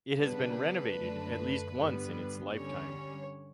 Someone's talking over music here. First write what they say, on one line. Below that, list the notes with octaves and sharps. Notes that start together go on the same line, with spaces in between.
It has been renovated at least once in its lifetime.
C#3 G3 B3 D4 B4
F#2 D3 A3 D4
G2 D3 G3 B3
D3 G3 C#4 C#5